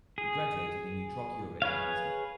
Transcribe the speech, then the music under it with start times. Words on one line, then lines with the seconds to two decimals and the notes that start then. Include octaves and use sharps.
He graduated in utroque iure in Pisa.
0.18 G#4
1.62 G#4 B4 C#5 F5